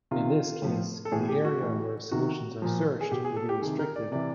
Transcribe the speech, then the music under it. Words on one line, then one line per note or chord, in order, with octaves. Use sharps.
In this case, the area where solutions are searched would be restricted.
C3 D#3 F4
A2 F3
A4
A2 E3 G#4
G4
F#4
A2 E3
C3 D#3 F#4
A#2 F3
G#4
B2 G4
G#4
A4
G4
C3 D#3 G#4
A#4
D5
C3 E3 D5